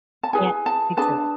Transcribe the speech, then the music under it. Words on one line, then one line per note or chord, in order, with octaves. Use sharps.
can't picture it.
A5
E4 G#4 B4 G#5
A5
D4 G#4 B4 A5